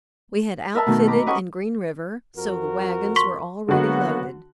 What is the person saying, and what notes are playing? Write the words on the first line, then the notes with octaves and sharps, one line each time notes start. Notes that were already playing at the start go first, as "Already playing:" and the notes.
We had outfitted in Green River, so the wagons were already loaded.
A#4 B4 E5 A5
B2 D#3 A3
A#5 B5 D6
C#4 B4 D#5 F#5 G#5 C#6
F2 F#4 A#4
C6 C#6 B6
D3 F#3 A#3 B3 F#4